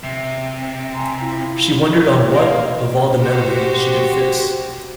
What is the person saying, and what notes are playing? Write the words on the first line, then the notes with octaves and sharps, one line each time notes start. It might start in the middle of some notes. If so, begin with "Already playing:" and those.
She wondered on what, of all the medley, she could fix.
C3 E5
G#5 A#5 C6
E4 F4
A#3 B4 D#5 F5
F#4 G4 C5